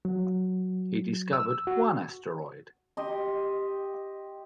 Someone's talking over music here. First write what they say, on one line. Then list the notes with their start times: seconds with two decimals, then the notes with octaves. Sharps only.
He discovered one asteroid.
0.05 F#3
1.33 E6
1.67 F#4
2.97 G4 D#5 C6